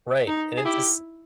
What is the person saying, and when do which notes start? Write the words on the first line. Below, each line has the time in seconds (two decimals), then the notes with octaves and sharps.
Right, and it's a ci
0.27 D#4
0.57 G#4
0.65 E4 G4